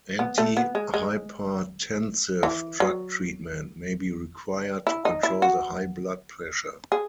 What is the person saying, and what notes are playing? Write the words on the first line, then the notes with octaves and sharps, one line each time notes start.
Anti-hypertensive drug treatment may be required to control the high blood pressure.
B3
A3
B3
G#3
G#3
E3
F#3
E4
D#4
E4
F#4
G#4